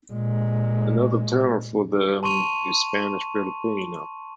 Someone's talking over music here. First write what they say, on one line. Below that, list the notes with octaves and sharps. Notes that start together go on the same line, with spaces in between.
Another term for them is Spanish Filipino.
A#2 G#3
A5 C6 C#6 D#7 F7